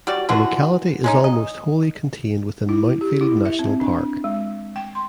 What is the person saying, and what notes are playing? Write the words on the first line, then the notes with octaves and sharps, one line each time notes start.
The locality is almost wholly contained within Mount Field National Park.
G3 F#4 D5
D3 E3 F4 F#4
G#3 C#4 D#4
D#5
E4
G4
E4
E5
C4
D4
G#3
G5
C6